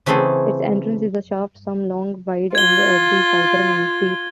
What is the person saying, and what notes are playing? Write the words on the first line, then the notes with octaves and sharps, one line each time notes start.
Its entrance is a shaft some long, wide, and at the southern end deep.
C#3 E3 A3 C4 G#4 A4
F4 G#6 G7